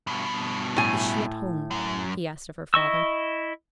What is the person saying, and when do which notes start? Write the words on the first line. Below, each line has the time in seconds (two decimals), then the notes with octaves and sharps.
Is she at home?' he asked of her father.
0.07 G2 B2
0.76 A2 G#5
1.71 F#2
2.74 E4 D#5 C#6 E6